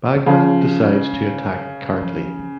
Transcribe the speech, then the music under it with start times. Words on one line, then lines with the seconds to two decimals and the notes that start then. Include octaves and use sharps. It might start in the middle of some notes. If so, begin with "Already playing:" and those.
Bagrat decides to attack Kartli.
0.16 D3
0.26 C#3 F3
1.13 D3
2.01 F3
2.39 F3